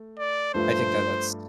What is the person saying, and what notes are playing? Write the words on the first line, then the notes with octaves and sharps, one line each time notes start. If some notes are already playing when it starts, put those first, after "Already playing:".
I think that that's
Already playing: A3
D5
G2 F3 A3 F4 C5